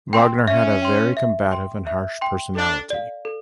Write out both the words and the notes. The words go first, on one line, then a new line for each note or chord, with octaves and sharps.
Wagner had a very combative and harsh personality.
C4 G5 C6
C#4 E5
G5 C6
E5
G5 C6
E5
G5 C6
D4 A4
D5 F5
A4